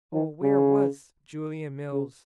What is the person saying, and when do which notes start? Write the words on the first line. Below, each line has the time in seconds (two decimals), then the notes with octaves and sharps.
Oh, where was Julia Mills!
0.13 D#3
0.42 C#3
1.93 C#3